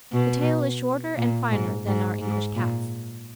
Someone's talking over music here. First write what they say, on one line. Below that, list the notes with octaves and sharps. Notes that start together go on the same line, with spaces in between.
The tail is shorter and finer than our English cats.
B2
A#2
G#2
G#2
G#2
A#2